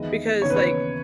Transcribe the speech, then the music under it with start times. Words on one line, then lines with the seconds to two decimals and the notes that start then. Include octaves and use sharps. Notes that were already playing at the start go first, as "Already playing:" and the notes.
because like
Already playing: E2 D#3 G#3 B3 E4 D#5
0.42 D#2 C#3 E3 B3 D#4 C#5
0.50 B4
0.56 C#5